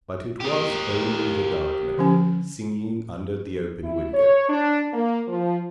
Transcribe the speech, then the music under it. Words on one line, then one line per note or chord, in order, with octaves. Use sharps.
But it was only the Gardener, singing under the open window.
G4 A#4
D3 F3 C#4
E4
C#5
D4
A#3
F3